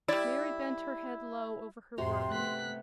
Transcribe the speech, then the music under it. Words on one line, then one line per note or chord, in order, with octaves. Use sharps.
Mary bent her head low over her work.
G3 E4 D5
F2 A2 C3 F#4 A#5 C6
A3 B3 F#6 B6